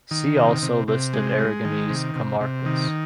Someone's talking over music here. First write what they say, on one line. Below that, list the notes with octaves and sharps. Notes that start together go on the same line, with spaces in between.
See also List of Aragonese comarcas.
D#3
C3
C3
C3
G#3
G#3
D#3
C3
C3
C3
D#3